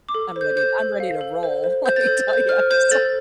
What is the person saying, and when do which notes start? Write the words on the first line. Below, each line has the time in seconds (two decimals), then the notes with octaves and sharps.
I'm ready t I'm ready to roll, let me tell you, I'm so,
0.09 D6
0.15 A4
0.36 C5
0.41 G6
0.57 C5 G6
0.79 A4
1.00 F5
1.21 A4
1.43 C5
1.64 C5
1.86 C5 G6
1.96 A6
2.01 G6
2.07 A4
2.17 A6
2.28 C5
2.33 G6
2.49 C5 F6
2.70 C5 G6
2.91 A4 A6